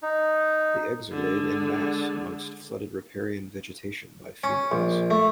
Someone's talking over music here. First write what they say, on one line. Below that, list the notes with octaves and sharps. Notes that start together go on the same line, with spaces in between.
The eggs are laid "en masse" amongst flooded riparian vegetation by females.
D#4
D3 G#3
C#4
A#1
A3